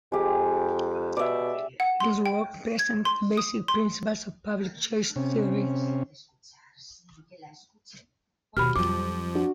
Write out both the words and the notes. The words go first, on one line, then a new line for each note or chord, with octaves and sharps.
This work presents the basic principles of public choice theory.
F2 G#3 G4
B2 D5 E5
F#5
C6
G5
G#6
C6
D#6
C6
C3 C#4
D#2 B2 F#3 G4 B5 F6
F2 F3 G3 D6
D4 F#4